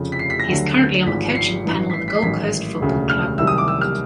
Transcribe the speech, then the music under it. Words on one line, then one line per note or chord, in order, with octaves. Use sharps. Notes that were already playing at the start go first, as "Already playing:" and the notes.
He is currently on the coaching panel of the Gold Coast Football Club.
Already playing: F1 F2 C#3
B6
C7
B6
A#6
D2 D3 F#3
G#1 G#2 F3 B6
C#7
C7
A1 G2 E3
B6
C7
B6
C7
A1 G#2 D#3 F#3 B6
E1 D2 C#3
F6
C2 C3 D#3 F#3 E6
D#6
D6
E6
F6